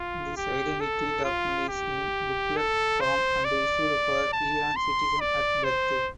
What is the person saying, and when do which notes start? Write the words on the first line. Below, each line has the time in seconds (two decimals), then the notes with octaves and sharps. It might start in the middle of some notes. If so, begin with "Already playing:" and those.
This identity document is in booklet form and issued for Iran citizens at birth.
Already playing: F4
0.37 G4
0.81 A4
1.25 F4
1.69 G4
2.57 A4
3.01 C5
3.45 D5
4.33 A5
4.76 C6
5.20 D5
5.64 C5